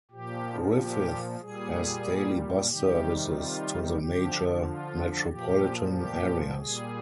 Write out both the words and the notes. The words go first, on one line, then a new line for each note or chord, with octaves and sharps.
Griffith has daily bus services to the major metropolitan areas.
A#2 F3 G4
G4
A#2 G3 G#4
C3 D#3 G3 G4
F4
D3 F3 G4
F4
A#2 F3 G4
G4
A#2 G3 G#4